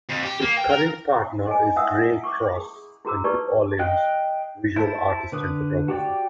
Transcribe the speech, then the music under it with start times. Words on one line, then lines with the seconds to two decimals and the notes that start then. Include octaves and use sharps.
His current partner is Grey Cross, a New Orleans visual artist and photographer.
0.09 F2
0.23 G4
0.42 A#3
0.57 G5
0.70 A#4
1.47 D#5 G#5
1.76 C#4 E4 E5 F#5 D#6 E6
2.24 C#6 D6
2.57 G#4
3.05 E4 F#4 G#4 A#5 D6 E6
3.24 D#4 G4 B4 D5 A5 C#6
3.79 D#5 F5 G5 F#6
4.76 E4 C5 A5
5.32 D3 B4 D#6
5.88 F#4 G4 D5 G5